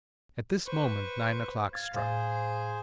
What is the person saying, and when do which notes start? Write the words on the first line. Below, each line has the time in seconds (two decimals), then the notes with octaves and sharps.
At this moment nine o'clock struck.
0.66 B4 C5 C#6
1.73 F5 G#6 A6
1.94 A2 G#4 C5 F5